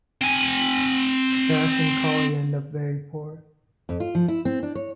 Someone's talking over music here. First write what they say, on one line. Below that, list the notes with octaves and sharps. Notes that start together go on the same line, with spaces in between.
Sass and Koly end up very poor.
C4 G#5
F2
F4
F3
E4
C4
D4
C#5